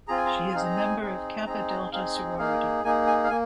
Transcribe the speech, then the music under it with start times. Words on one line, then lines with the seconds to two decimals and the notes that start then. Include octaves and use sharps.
She is a member of Kappa Delta sorority.
0.08 C4 F4 G#4 A#5
0.17 G#5
0.26 A#5
0.50 G#5
0.54 C4 D#4 G#4 F5
0.66 A#5
0.77 G#5
1.00 C4 D#4 G#4
1.46 C4 D#4 G#4 A#5
1.70 A#5
1.92 C4 D#4 G#4 F5
2.16 D#5
2.38 A#3 D#4 G#4 F5
2.84 A#3 D#4 G#4 G#5
3.07 G#5
3.24 F5
3.30 A#3 G#5